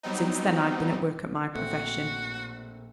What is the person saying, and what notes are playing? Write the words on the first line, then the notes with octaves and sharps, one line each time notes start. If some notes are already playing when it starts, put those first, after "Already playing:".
Since then I've been at work at my profession.
F#3 G3 B3 C4 D#4
A#1 A3 C4 F#4 C5